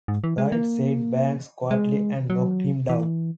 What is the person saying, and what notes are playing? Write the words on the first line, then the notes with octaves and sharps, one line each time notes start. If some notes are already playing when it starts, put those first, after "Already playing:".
"Right," said Banks quietly, and knocked him down.
G#2
E3
G#3
A#3
G#3
F#3
E3